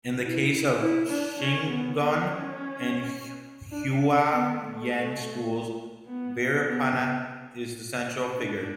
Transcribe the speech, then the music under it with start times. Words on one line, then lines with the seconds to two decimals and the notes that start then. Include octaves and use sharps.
In the case of Shingon and Hua-Yen schools, Vairocana is the central figure.
0.22 E4
0.81 E4
1.09 D4
1.39 C#4
1.68 B3
1.97 B3
2.27 C#4
3.72 D4
4.31 B3
4.60 A3
6.06 B3
6.64 B3
8.39 D4